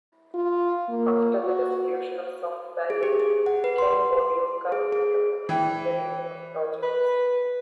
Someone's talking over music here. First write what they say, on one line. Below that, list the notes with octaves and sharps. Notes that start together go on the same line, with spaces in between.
After the dissolution of Soft Ballet, Ken Morioka returned to his myriad of projects.
F4
A#3
F#4
G#4
G4
G#4
F#5
B4
C6
G#4
G#4
E3 D5 G5
B4